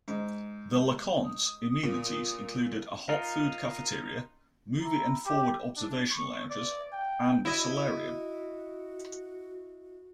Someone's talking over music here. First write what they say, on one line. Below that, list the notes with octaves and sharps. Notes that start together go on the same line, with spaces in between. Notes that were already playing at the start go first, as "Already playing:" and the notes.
The "LeConte"s amenities include a hot-food cafeteria, movie and forward observation lounges, and solarium.
G#2
D#6
A#2
D#4 F4 A#4
E4 A#5
G4
D4
C#6
D5
G5
E4 F#4 D#5